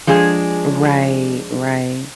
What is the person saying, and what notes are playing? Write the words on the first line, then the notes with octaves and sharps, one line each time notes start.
Right, right.
F3 G#3 D4 G#4